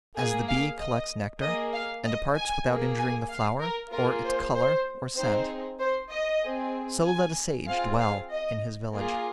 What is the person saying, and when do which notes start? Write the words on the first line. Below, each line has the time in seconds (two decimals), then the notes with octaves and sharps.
As the bee collects nectar and departs without injuring the flower, or its colour or scent, so let a sage dwell in his village.
0.17 A#3 G#4 G#5
0.48 F5
0.79 D#5
1.42 A#3 G#4 D#5
1.73 F5
2.04 D#5
2.35 G#5
2.67 A#3 G#4
2.98 G#5
3.29 F5
3.61 A#4
3.92 A#3 F4 G#4 A#4
4.24 C5
4.55 C5
5.17 C4 D#4 G#4 C5
5.79 C5
6.11 D#5
6.43 C4 G#4
7.05 G#5
7.67 C4 F4 G#4 F5
7.99 F5
8.31 D#5
8.93 A#3 F4 G#4